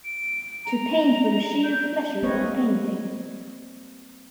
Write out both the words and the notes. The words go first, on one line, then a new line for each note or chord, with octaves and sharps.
To paint for the sheer pleasure of painting.
D7
A#5
G6
G3 A#3 C4 B4 C#5 D#5